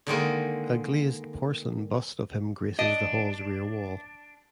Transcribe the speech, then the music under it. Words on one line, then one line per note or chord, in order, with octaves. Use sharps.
A glazed porcelain bust of him graces the hall's rear wall.
D3 D#3 G#3 A#3
D4 D#5